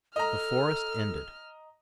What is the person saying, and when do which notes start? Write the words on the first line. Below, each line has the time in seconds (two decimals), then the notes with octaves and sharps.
The forest ended.
0.16 A4 D#5 A#5 F6